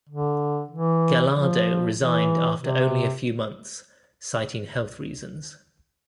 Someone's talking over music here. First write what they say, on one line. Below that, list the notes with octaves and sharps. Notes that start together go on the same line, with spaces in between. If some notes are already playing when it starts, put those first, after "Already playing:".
Gallardo resigned after only a few months, citing health reasons.
D3
E3
F3
E3
C3